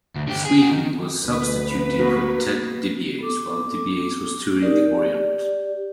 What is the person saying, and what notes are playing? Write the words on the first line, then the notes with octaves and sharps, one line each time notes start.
Sweetan was substituting for Ted Dibiase while Dibiase was touring the Orient.
D2
D3 G4
G#4
F#4 G#4
D#3
D2 B4
A#3 B3 F#4 A#4
B3 A4 D6
D#4 G4 A#4 D5
G4 D5